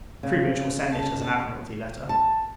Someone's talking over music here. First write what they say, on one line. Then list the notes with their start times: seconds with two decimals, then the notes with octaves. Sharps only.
Troubridge will send it, as an Admiralty letter.
0.23 C#3
0.93 A5
2.09 A5